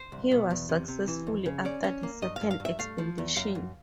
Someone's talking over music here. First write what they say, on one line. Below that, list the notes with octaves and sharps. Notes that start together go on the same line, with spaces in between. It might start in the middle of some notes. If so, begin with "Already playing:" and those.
He was successful after the second expedition.
Already playing: C5
C2
B2
E2
C3
C3
E3
F2
C#3
C#4 D5
C#4
A#3
G2 D#5
G2 F5
F5
G2
E5
A3 F5
F3
E2
F#2 F5
F#2